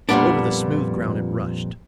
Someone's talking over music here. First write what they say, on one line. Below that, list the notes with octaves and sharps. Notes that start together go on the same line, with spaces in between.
Over the smooth ground it rushed.
F2 A#2 C#3 G3 B3 D4